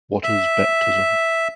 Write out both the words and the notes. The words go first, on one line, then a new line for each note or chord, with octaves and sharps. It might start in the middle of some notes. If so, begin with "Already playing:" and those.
What is baptism?
E5